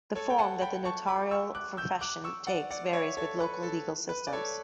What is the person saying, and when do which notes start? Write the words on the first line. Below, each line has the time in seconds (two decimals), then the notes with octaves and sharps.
The form that the notarial profession takes varies with local legal systems.
0.15 A4 C#5
0.30 G5
0.38 F#5 A5
0.61 G5 B5
0.85 A5 C#6
1.07 B5 D6
1.31 C#6 E6
1.55 D6 F#6
1.77 E6 G6
2.01 D6 F#6
2.24 C#6 E6
2.47 D5 F#5
2.71 D5 F#5
2.93 C#5 E5
3.17 A4 C#5
3.40 B4
3.63 A4
4.09 B4
4.27 D5
4.33 A4 C#5